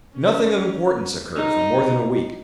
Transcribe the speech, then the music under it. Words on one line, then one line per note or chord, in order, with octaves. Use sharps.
Nothing of importance occurred for more than a week.
C#4
D#4